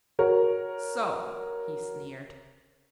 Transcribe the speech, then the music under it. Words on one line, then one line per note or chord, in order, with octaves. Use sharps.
"So!" he sneered.
F#4 A#4 C#5